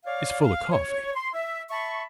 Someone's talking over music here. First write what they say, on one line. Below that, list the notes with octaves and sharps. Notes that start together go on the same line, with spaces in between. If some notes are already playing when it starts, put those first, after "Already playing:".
It's full 'a coffee.
C#5 D5 F5
F5
C#5
C6
E5
E5 A5 B5 C#6